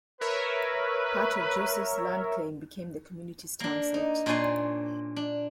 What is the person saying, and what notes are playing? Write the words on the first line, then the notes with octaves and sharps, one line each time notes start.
Part of Joseph's land claim became the community's townsite.
A#4 B4 C#5 E5
A#3 D4
D#4
A#2 D4 C5 C#5 G#5 C6
D4